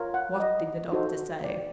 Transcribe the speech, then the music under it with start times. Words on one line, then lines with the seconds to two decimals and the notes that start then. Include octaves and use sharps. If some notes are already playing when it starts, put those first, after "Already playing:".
"What did the doctor say?"
Already playing: F4 A#4 C#5
0.14 F#5
0.40 D#5
0.92 D#4 F#4 A4 C5
1.44 D5